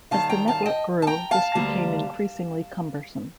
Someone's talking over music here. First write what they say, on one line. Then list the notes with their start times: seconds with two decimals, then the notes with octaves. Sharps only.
As the network grew, this became increasingly cumbersome.
0.11 D#2 D#3 G3 F5 A5
0.29 G5 A#5
0.47 F5 A5
0.65 D#5 G5
1.02 A5
1.07 G5 A#5
1.31 F5 A5
1.55 D2 D3 G3 A#3